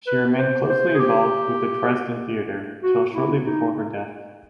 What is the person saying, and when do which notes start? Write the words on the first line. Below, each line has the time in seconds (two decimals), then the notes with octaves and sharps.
She remained closely involved with the Dresden theatre till shortly before her death.
0.07 B4
0.38 C5
0.69 C5
0.95 G#4
0.99 G4
2.83 F#4
3.14 E4
3.46 D#4